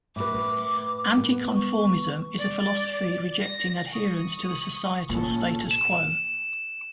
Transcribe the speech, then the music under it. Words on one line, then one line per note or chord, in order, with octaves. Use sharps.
Anticonformism is a philosophy rejecting adherence to the societal status quo.
A2 B4 D6
B3
C#6
D5
A#6
C#6 D#6
A#2 C#4 A4
E7